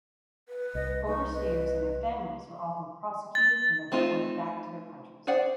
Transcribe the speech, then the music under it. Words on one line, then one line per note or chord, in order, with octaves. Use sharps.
Overstayers and their families were often prosecuted and then deported back to their countries.
B4
C2 D#5
D#4 C#6
B4 D#5
A6
A3 C4 D#4 F4
G#4 C5 D5 F#5